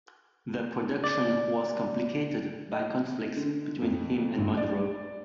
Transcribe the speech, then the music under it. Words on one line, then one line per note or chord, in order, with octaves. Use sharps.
The production was complicated by conflicts between him and Monroe.
D5
D#5
D3
F2
A#1
D5